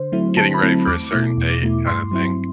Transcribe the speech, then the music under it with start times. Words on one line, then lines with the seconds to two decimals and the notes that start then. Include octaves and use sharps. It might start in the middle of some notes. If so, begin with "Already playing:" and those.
getting ready for a certain date kinda thing.
Already playing: D3 C5
0.12 F#3 A3 C4 E4
0.37 D3 A5
0.54 B5
0.63 F#3 A3 C4 E4
0.87 E2 D6
1.12 B2 A3 E4
1.37 E2
1.62 B2 A3 E4
1.87 G2 C6
2.11 F#3 C4 E4